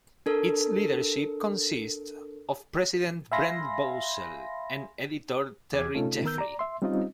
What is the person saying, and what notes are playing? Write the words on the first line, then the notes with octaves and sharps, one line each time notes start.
Its leadership consists of president Brent Bozell and editor Terry Jeffrey.
D4 A4 A#4
E5 F5 G#5 B5 C6 A#6
E2 G#4 D6 G#6
C3 A3 C#4 D#4 F4 A4
D#3 B3 A#4 E6 G6
D5 A#5
E5 C6
G3 C4 C#4 D#4 F4 D#5